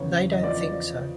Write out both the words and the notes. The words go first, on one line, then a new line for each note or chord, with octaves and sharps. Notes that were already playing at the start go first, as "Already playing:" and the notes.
They don't think so.
Already playing: E2 C#3 C#5
E2
E2 D#5
F3 D5